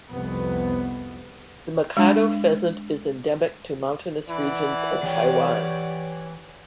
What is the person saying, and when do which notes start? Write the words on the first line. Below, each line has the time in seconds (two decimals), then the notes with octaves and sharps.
The Mikado pheasant is endemic to mountainous regions of Taiwan.
0.11 C2 F2 B3
1.97 G#3 D4
4.29 E3 D5 F#5
5.04 E3 G4 C#5 G5